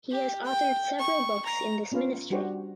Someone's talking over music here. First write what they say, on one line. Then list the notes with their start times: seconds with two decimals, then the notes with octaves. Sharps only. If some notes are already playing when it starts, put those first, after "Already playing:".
He has authored several books in this ministry.
0.11 G4
0.44 G5
0.99 C#6
1.45 A#5
1.92 B3 C#4 F4 B4 F5
2.30 G3 D4 F#4 G4 C5